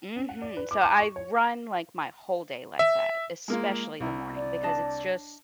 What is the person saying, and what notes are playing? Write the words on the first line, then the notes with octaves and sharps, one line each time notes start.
Mhm, so, I run, like, my whole day like that, especially the morning because it's just
C#4
F#5
D5
B4
D6
D6
C#6
C#5
E5
G#3 A#3 F4
C2 E4
D5
D4 D#5 A5